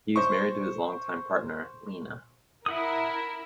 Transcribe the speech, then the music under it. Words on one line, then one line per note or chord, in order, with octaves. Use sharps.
He is married to his longtime partner Lina.
C5 C#6
E4 A#4 E5 F#5 D#6